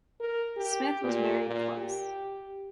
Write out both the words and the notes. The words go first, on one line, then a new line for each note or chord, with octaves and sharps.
Smith was married twice.
A#4
G4
A#2
A#2
G4